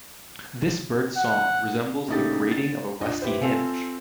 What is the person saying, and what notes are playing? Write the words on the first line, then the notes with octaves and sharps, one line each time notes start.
This bird's song resembles the grating of a rusty hinge.
F#5
A#1 C#3 A3 D#4 G4 A6
A6
D4 F4 D#5
E4 G4 B4 C5
C4 F4 A4 F5 G#5